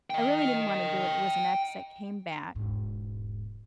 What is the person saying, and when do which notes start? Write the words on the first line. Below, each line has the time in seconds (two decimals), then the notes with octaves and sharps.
I really didn't wanna do it, it was an ex that came back
0.10 D#5 G5
2.55 E1 G#2